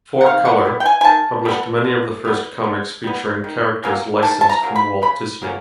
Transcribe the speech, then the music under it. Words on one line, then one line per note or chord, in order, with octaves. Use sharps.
"Four Color" published many of the first comics featuring characters licensed from Walt Disney.
F#5
D#3 F5
F#5
G3 B3
G5
G#5
G#5
D#3 A5
G3 B3
D3
G3 B3
D3
G3 B3
D#3
F#3 A#3 C#4
D#3 A5
A5
A#5
F#3 A#3 C#4
B5
C#3 B5
F#3 A#3 C#4